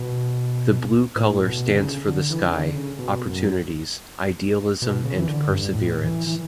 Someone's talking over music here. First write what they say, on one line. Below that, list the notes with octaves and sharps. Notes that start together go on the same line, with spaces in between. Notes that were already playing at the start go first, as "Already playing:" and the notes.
The blue color stands for the sky, opportunities, idealism and perseverance.
Already playing: B2
A2
B2
D3
C#3
D3
E3
C#3
D3
C#3
B2
F#2
B2
C#3
E3
D3
G2
A2
E3
E3